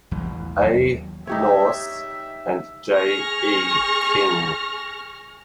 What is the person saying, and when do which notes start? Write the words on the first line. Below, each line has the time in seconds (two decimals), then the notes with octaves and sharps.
A. Knauss and J. E. King.
0.11 A1 E2 E3
0.61 D#2 F#3
1.27 D#4 G4 C#5 E5
2.91 G#4 C#6 F6 A#6